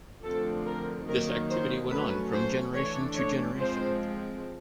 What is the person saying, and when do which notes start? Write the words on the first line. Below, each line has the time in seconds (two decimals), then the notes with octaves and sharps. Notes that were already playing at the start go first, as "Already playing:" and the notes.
This activity went on from generation to generation.
0.24 D3 F3 A3 C4 A4
0.66 A#4
1.07 D#3 F#3 A#3 A#4
1.49 C5
1.91 F#3 A3 C#4 B4
2.32 C5
2.74 E3 A3 D4 C#5
3.15 C#5
3.57 F3 G#3 C4 C5